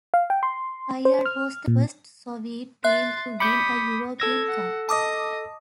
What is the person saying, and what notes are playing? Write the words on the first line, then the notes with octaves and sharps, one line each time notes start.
Kairat was the first Soviet Team to win a European cup.
F5
G5
C6
C5
F6
A#2
E5 C6 F#6 A6
B5 D6 D#6 G6 B6 C#7
A4 E6 G#6 A#6
F#5
D#5 A5 D6 D#6